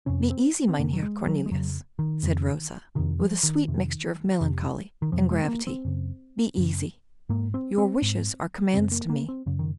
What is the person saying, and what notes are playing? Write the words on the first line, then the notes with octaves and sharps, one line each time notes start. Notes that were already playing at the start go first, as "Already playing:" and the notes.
"Be easy, Mynheer Cornelius," said Rosa, with a sweet mixture of melancholy and gravity, "be easy; your wishes are commands to me."
F2 C3 C#4
C4
C4
F2 C3 A#3
F#3
G#3
F#3
G#3
F2 C#3 F#3
D#3
F2 C#3
F2 C3 D#3
F3
D#3
F2 C3
F2 C3
D#3
F2 C3 F3
G#3
C4
A#3
C4
F#2 C#3
F#2 C#3
G#2 A#3
C4
C4
G#2
F#2 C#3 C4
A#3
A#3
C4
F#2 C#3
D#3